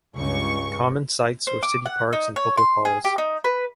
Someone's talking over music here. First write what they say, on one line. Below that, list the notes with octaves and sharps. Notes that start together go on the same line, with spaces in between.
Common sites were city parks and public halls.
C#2 G2 C#6
C5
D6
F#5
D#4
C#5
C6
G#4
G4
D#4
B4